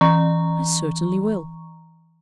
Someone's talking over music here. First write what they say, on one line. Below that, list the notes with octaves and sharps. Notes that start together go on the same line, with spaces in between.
"I certainly will."
E3 A#5 C#6